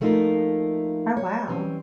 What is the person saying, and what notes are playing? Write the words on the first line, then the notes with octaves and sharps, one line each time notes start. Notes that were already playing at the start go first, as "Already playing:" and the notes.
Oh wow.
F3 A3 A#3 D#4 F4 A#4
C#5
E3 G3 C4 C#4